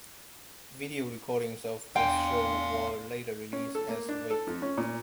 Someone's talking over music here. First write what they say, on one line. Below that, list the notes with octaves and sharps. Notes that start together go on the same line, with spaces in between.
Video recordings of this show were later released as "Wake".
E2 D4 F5 G5 G#5 C6
C#4
A4
A#3
D4
A4
F2
C#4
A#2